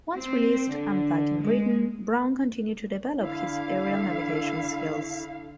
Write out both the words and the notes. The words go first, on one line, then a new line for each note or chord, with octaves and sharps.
Once released and back in Britain, Brown continued to develop his aerial navigation skills.
C4
D3
G#3
D3 E4 F5